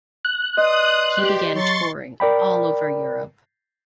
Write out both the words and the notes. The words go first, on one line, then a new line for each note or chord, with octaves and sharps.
He began touring all over Europe.
F#6
B4 D5 D#5 C6 D#6
G4
F#3 C6 C#6 A6
A#4 D5 G5 B5